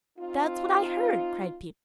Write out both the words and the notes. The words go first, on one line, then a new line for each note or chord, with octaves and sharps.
"That's what I heard," cried Peter.
C4 D#4 F4